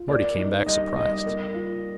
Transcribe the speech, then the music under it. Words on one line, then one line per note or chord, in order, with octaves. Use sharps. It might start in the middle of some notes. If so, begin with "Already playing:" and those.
Marty came back surprised.
Already playing: F4
A#3 D5
D#4
G3 D#5
G3 D#5
A#3
F4